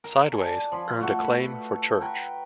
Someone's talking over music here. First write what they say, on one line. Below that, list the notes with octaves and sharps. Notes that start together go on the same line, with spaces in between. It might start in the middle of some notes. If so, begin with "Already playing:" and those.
"Sideways" earned acclaim for Church.
A#4
D5 G#5 A5
F3 F4 B5
A3 F#4 A4
B4 B5
B4 G5 A#5 C#6